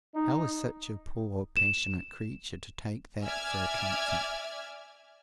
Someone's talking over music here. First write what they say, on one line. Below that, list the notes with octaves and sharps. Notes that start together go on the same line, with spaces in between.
How was such a poor passionate creature to take that for a comfort?
D#4
E7
D5 E5 G#5 F6 G#6